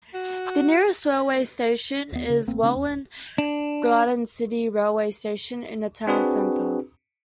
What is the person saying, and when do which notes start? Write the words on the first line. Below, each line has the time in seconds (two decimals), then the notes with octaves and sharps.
The nearest railway station is Welwyn Garden City railway station in the town centre.
0.14 F#4
2.12 D#2 B3
2.30 C#3
2.47 A1 A#3 C4
2.63 C#3 A3 C4 D4
2.76 E2
2.88 D1
3.38 D4
6.07 C4 D4 F#4 G#4 B4